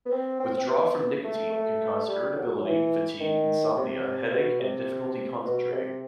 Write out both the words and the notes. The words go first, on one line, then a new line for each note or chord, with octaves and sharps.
Withdrawal from nicotine can cause irritability, fatigue, insomnia, headache, and difficulty concentrating.
B3
C4
C4
C4
B3
A3
A3
G3
F#3
F#3
E3
D#3
C3
B2
C3
B2
C3